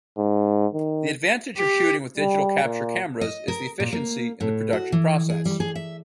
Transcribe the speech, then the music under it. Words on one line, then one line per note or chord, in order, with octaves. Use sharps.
The advantage of shooting with digital-capture cameras is the efficiency in the production process.
G#2
D#3
G4
G3
A#2
D#5
A#4
A#2
A#3
A2
F#4
E3
G#4
G3
G#4
E5